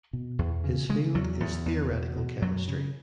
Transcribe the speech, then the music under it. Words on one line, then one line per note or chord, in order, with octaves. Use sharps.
His field is theoretical chemistry.
B2
E2
C#3
C#3 G#3
E2 F#3
E2
E2
B2
B2
F#2 F#3
C#3